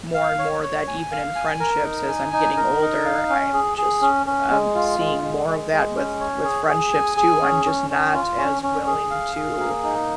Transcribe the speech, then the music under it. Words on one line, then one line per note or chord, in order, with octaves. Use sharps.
more and more that even in friendships as I'm getting older, I'm just, um, seeing more of that with with friendships, too. I'm just not as willing to
F5
C#5
C#5
G#5
F5
G#5
A#4
D#4
G#5
D#4
A#4
D#4
F5
C#4
G#4
G#4
C#4
C#4
G#3
F4
G#3
G#3
G#3
G#3
C#4
C#5
G#4
G#4
G#5
G#4
C#4
C#4
C#4
F4
C#4
C#4
G#4
F5
G#4
A#3
D#4